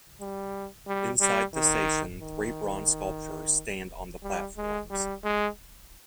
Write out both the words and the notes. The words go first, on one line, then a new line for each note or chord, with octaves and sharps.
Inside the station, three bronze sculptures stand on the platforms.
G3
G3
G3
D#3
D#3
G3
G#3
G3
G#3